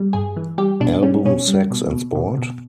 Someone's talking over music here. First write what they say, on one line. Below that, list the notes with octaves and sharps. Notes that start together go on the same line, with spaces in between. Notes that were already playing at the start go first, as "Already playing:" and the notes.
Album Sex and Sport?
Already playing: G3
G2 G#4
E3
G3 G4
B2 D4
G3 C#4
B2 C#4
G3
B2
B2
B2
B2